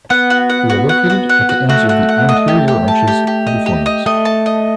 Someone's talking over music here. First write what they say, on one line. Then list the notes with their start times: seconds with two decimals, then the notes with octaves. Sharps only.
They are located at the ends of the anterior arches of the fornix.
0.10 B3 F#5
0.30 F#4
0.49 F#5
0.70 F#4
0.89 F#5
1.10 F#4
1.29 F#5
1.49 F#4
1.69 A3 F#4
1.89 F#4
2.09 F#5
2.29 D#5
2.48 G4
2.68 G4
2.88 A5
3.07 G4
3.27 G4
3.47 D#5
3.66 G4
3.86 D#5
4.06 A3 D#5
4.25 A5
4.46 D#5